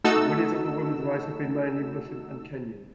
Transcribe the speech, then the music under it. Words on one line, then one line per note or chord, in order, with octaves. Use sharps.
The winners of the women's race have been mainly Russian and Kenyan.
A3 D#4 F#4 A4 E6